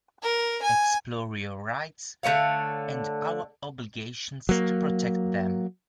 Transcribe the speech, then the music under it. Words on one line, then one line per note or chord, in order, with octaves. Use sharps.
Explore your rights and our obligations to protect them.
A#4
G#5
D3 A3 C#5 F5
F#3 A#3